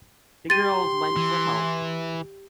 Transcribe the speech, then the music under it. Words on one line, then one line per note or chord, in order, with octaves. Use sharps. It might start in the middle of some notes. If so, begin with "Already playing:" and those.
The girls went for help.
G4 C6 A6 D#7
E3